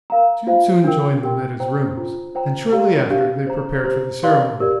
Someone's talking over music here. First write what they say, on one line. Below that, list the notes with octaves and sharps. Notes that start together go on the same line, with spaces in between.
Jude soon joined them at his rooms, and shortly after they prepared for the ceremony.
A#4 F5 A#5
F4 C5 F5
D4 A#4 G5
D4 G4 A#4 G5 C6
C5 G5 A#5
D4 F4 C5 A#5
C5 G5 A#5
G4 D5 F5 A#5
D4 G4 D5 F5
C5 A#5
G4 C5 A#5
G4 D5 F5 C6
G4 A#4 D5